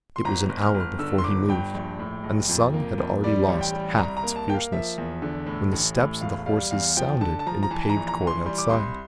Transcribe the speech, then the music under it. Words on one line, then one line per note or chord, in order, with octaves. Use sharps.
It was an hour before He moved, and the sun had already lost half its fierceness, when the steps of the horses sounded in the paved court outside.
C6
G1 A#5
G1
F6
G1
F6
D3 E6
C6
G1 D6
G2 G5
A#1
A2
A#1
F2
A#3
F2
G3 D5
A1
G5
G3
C2 A#5
A#5
A#3
A5
A#3 G5
F5
F3 E5
E2
D3
A2
A1
A2
E1 F5
G3 F5
E2 F5
F3 G5
D3 A5
A5
F3 A#5
A#5
E3 A5
A5
A#5
A#1
A#5
E3
C6
G3 C6
D6
C2 C6